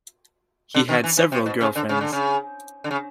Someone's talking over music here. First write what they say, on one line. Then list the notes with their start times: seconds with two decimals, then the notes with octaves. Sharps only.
He had several girlfriends.
0.74 D3
0.89 D#3
1.04 E3
1.17 E3
1.32 C3
1.46 B2
1.61 C#3
1.76 D3
1.89 C#3
2.01 D3
2.13 C#3
2.84 D3
2.91 C#3